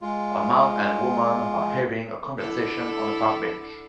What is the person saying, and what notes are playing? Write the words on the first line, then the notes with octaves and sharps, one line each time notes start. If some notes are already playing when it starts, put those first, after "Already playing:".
A man and woman are having a conversation on a park bench.
G#3 F4
D3 E4 A4